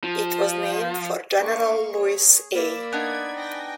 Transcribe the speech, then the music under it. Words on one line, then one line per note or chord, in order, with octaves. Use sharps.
It was named for General Lewis A.
F3
A#3 D4 B4 F5 C#6 D6
G#4 C#5
A#3 D5 B5 E6
B3 D4 D#4 G#6
G5 G#5 A#6